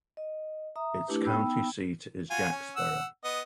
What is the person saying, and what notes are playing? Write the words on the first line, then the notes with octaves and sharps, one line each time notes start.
Its county seat is Jacksboro.
D#5
E5 A#5 D#6
A3 D4 E4 G4 B4
B3 D#4 G5 B5 E6
F4 F#4 G#5
C#4
F#5 E6
B3 D#5